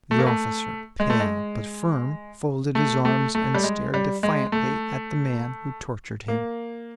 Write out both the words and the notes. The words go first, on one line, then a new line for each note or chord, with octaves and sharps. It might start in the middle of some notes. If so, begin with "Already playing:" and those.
The officer, pale, but firm, folded his arms and stared defiantly at the man who tortured him.
A3
A#3
A3
G#3
A3
G#3
A3
A3
A3
G3
G#3
G3
G#3
A3
A#3